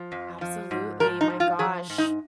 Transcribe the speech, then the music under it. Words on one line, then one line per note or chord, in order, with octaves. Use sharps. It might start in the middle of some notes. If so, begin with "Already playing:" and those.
Absolutely, my gosh.
Already playing: F3
F2
F3
G#2
F3 A#4
D#4
G#2
F4
F3 G#4
G#2
D#4